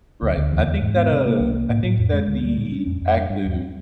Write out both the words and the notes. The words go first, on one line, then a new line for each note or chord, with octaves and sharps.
Right. I think that, uh, I think that the act of
D2
D2
E2
E2
G#2
B3
C3
A#3
C2
A#3
A2
A2
F2
G#3
D2
G3
A#2
C#4
F2
F2
G2
G2
D#2